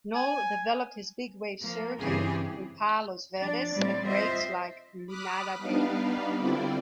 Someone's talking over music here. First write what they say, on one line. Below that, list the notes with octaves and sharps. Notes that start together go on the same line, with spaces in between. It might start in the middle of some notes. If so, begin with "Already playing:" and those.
Noll developed his big wave surfing in Palos Verdes at breaks like Lunada Bay.
G#5
F3 A#3
G2 C#3 E3 C4 G4 G#4
F3 D4 D5
A2 F3 G3 C4 D5
C4 F4 C5 D#5 E5
B5 D6 D#6 F6 F#6 B6
G3 B3 D4 D#4 B4 F5
D3 G3 C4 E4 F4 D5